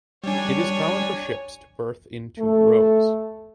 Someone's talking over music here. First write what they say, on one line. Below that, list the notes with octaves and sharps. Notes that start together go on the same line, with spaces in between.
It is common for ships to berth in two rows.
G3 D4 C#5 G#5
A3 A4